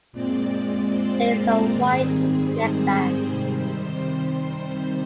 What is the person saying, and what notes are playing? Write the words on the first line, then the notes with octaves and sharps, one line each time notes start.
There is a white neckband.
A#2 G#3 C4 D5
C5
A#4
G#2 D#3 G3 C4 G#4
C5
C3 D#3 G3